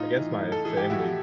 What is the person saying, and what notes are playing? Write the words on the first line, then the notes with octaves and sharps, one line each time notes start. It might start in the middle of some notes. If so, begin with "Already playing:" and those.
a I guess my family
Already playing: A2 D#4 F4
E3
A2
A4
E3 G#4
G4
A2 E4 F#4